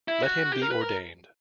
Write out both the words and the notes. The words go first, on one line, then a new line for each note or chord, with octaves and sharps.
Let him be ordained.
E4
F#4
G4
A#4
B4
A#4